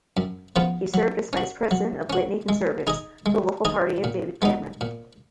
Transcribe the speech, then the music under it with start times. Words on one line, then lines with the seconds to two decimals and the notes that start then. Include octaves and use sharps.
He served as Vice President of Witney Conservatives, the local party of David Cameron.
0.17 F#2
0.56 C#3 F3 B3 F4
0.94 F#3
1.33 C#4 F#4
1.71 F#3
2.10 C#4 F#4
2.49 G#3
2.87 D#4 G#4 D#5
3.26 G#3
3.65 D#4 G#4 D#5
4.04 A#2
4.42 G#3 B3 D#4
4.81 A#2